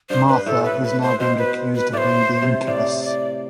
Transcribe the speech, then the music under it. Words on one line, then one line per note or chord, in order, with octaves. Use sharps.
Martha is now being accused of being the incubus.
G2 C5
B4
A2 A4
B4
B4
C5
B2 C5
B4
B4
A2 C5 D5
C3
A2 D5
D5